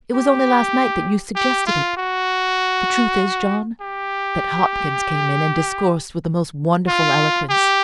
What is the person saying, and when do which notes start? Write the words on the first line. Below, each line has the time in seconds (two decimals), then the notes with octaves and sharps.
It was only last night that you suggested it. The truth is, John, that Hopkins came in and discoursed with the most wonderful eloquence.
0.14 G4
1.36 G4
1.67 F4
1.97 F#4
3.81 G4
6.88 F4
7.49 G4